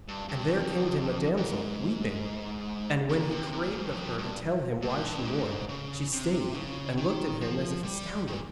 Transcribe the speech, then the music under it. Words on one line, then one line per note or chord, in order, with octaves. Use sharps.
And there came to him a damsel, weeping, and when he craved of her to tell him why she mourned, she stayed, and looked at him as if astounded.
G2
G2
F2
G#2
A#2
C3
C3
A#2
G#2
G2
F2
G2
G2
G#2
G2
G#2
C#3
C3
C#3
D#3
F3
G3
D#3
A#2